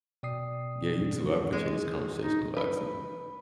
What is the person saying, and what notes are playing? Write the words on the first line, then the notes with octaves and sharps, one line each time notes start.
Yeah, you too. I appreciate this conversation a lot, too.
B2 D5 G5 D#6 C7
G#3
D#4
B4